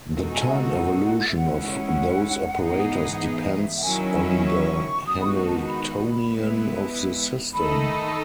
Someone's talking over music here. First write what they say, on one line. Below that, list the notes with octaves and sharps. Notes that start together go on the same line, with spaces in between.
The time evolution of those operators depends on the Hamiltonian of the system.
B2 G#3 D#4 F#4 A4
G#5
E5
F#5
E5
G#3 C#4 E4 F#5
G#2 E3 B3 D#4 G#4
F#5
E5
D#5
E5
F#5
D#3 F#3 C#4 E4 G#5
C#6
D#3 G#3 B3 D#4 F#4 D#6
B5
C#6
A5
B5
G#3 B3 E4 B4
D#3 A3 D#4 A4 D#5 B5